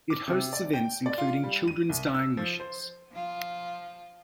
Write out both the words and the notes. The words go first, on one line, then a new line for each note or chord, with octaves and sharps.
It hosts events including children's dying wishes.
D6
C3
D5
G5
D5
F4
G3
D#7
C2
E6
F3
C5
F3 F4